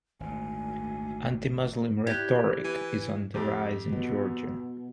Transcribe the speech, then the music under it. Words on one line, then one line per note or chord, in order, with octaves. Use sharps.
Anti-Muslim rhetoric is on the rise in Georgia.
G#1 D2 A#2 G#5
E4 G4 D5 F#6 G#6
E3 G#5
F2 A3 G4
B2